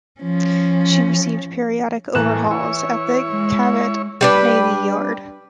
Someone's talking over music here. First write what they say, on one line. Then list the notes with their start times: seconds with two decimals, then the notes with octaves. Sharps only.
She received periodic overhauls at the Cavite Navy Yard.
0.21 F3 C#4
2.15 A2 E3 A#3 F#6 E7
2.51 E4 C#5
3.29 G#3
4.21 G3 D4 B4